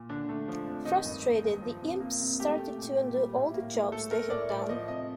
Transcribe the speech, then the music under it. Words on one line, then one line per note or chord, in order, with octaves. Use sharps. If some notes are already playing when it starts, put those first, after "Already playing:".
Frustrated the imps started to undo all the jobs they had done.
Already playing: A#2
D3 D4
A3
F3
F2
D#3 D#4
G2
A#3
G2
F3
C3
A#3
C3
A3 G4
A3
A#2
A#2
G3
A2
A#3
A2
A3 A4
A3 A#4
A2 D5
A2 D5
F3 D#5
C3 D#5